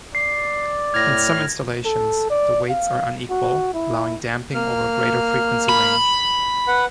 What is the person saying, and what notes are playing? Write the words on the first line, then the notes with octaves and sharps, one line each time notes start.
In some installations, the weights are unequal, allowing damping over a greater frequency range.
D5 C7
A2 F6 G#6 A#6
A4
D5
F5
F#4
E4
A#3 F6
B5
B4 F#5